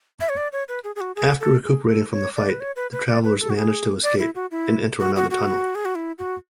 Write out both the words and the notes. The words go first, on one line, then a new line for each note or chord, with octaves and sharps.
After recuperating from the fight, the travelers manage to escape, and enter another tunnel.
E5
C#5
D5
C#5
B4
G#4
G#4
F#4
G#4
A4
G#4
A4
C#5
D5
B4
C#5
B4
B4
D5
B4
A4
F#4
G#4
D5
E4
F#4
E4
F#4
F#4
F#4
G#4
F#4
E4
F#4